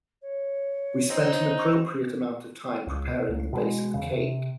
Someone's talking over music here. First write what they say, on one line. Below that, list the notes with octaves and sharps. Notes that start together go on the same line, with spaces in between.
We spent an appropriate amount of time preparing the base of the cake.
C#5
C4 D#4
C#2
B2
C#2
B2 F#3 G#3
E2 C#3
C3